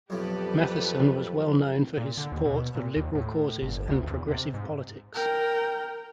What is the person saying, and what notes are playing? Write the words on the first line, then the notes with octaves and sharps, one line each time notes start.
Matthiessen was well known for his support of liberal causes and progressive politics.
B1 F2 A2 F3 G4 A4 B4
A#2
D3
D#2
B2
A#2
D#2
A2
G1
D2
E2
C3
G#2
A#4 G5